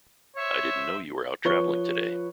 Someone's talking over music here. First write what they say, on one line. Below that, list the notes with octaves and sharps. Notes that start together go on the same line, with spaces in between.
I didn't know you were out travelling today.
C5 C#5 E5
F3 B4 C#5 C#6 G7